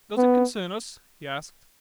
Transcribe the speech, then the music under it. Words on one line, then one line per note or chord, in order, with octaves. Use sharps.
"Does it concern us?" he asked.
B3